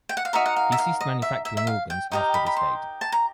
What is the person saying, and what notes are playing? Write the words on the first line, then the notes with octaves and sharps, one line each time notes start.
He ceased manufacturing organs after this date.
G5
F#5
F5
D#4 F#4 A#4 E5
F#5
F5
E5
F5
D#5
E5
E5
E5
F5
G5
D#4 G4 A#4 D#5 G5
B5
B5
C6
A5
A#5